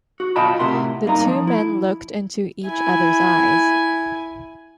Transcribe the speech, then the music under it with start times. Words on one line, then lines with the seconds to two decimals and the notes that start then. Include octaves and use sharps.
The two men looked into each other’s eyes.
0.20 F#4
0.36 B2 F4 D#5 G5 A5 B5
0.60 A2 C3 A#4 E5 F#5 C6
1.06 G2 A#3 D#4 A#5
1.27 F3
1.47 E4
2.67 E4 G#5